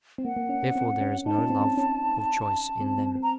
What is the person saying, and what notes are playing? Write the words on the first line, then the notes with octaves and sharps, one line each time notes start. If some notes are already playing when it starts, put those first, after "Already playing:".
Therefore there is no love of choice in them.
C4
A#3 F#5
A#3
C#4
C#4
C4
C#4
D#4 A5
C#4
C4
C#4
C#4
C4
C4
C4
A#5